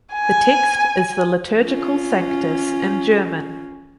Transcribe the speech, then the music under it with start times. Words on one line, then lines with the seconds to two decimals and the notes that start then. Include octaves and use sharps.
The text is the liturgical Sanctus in German.
0.13 G#5
1.63 C#4 F4